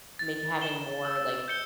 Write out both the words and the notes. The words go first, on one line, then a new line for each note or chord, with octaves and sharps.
m make having more, like,
A6
E7 G7
E6
G6 C#7 G7